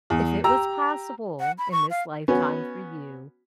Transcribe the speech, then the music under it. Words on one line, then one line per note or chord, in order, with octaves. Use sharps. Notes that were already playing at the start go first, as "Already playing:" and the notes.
If it was possible in this lifetime for you,
E2
G4 A#5 E6
F#5
B5
C#6
F5
B3 C#4 F#4